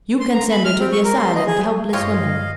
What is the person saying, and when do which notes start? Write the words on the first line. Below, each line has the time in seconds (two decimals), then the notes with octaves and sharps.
You can send her to the asylum for helpless women.
0.20 C6
0.33 A#5
0.51 B5
0.65 F6
0.79 C4
0.92 C#6
1.04 A#4
1.18 C6
1.35 D#5
1.47 G#4
1.93 G2 F4 G4 C#5 D#5 F5